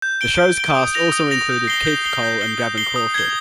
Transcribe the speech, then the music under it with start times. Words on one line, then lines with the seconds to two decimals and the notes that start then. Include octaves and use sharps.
The show's cast also included Keith Cole and Gavin Crawford.
0.02 G6
0.21 D7 G7
0.40 G6
0.57 D7 G7
0.75 D#6
0.94 A#6 F7
1.12 D#6
1.31 A#6 F7
1.49 G6
1.67 C7 G7
1.85 G6
2.05 C7 G7
2.23 G6
2.41 C7 G7
2.59 G6
2.78 C7 G7
2.96 D#6
3.14 G#6 C7 G7